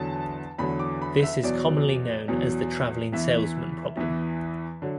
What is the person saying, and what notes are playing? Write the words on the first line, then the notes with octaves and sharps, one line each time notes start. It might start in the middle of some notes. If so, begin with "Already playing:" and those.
This is commonly known as the traveling salesman problem.
Already playing: E2 D3 F#3 A5
E2 D3 F#3 B5
D6
B5
E5
E2 B2 F#3 D5
E2 B2 F#3
E2 E3 E5
E2 E3
D3 F#3